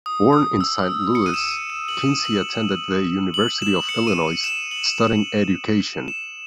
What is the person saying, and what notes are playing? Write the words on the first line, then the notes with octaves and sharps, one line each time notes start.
Born in Saint Louis, Kinsey attended the University of Illinois, studying education.
D#6
D#6
E6
C#7
D#7
E7
D#7
E7
F#7
E7
F#7
F#7
E7
C#7
D#7
E7
F#7
E7
E7